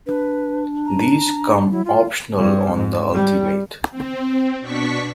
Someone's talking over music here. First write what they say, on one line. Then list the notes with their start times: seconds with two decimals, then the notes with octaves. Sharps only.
These come optional on the Ultimate.
0.07 D4 B4
0.86 A#5
1.71 F#3 E4
1.85 E4 F4
2.37 G2
2.74 G#2
3.11 G3
3.91 C4
4.60 B2 D4 C#6 B6